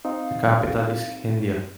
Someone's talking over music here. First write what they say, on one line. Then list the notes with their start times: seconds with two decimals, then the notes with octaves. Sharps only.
The capital is Kindia.
0.05 C4 D#4 F5